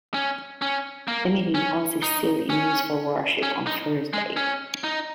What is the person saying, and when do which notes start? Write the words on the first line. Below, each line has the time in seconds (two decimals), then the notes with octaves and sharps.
The Meeting House is still in use for worship on "First Day".
0.14 C#4
0.62 C#4
1.08 A#3
1.55 C#4
2.02 D#4
2.50 C#4
3.43 C#4
3.67 D#4
4.13 G#3
4.37 C#4
4.84 D#4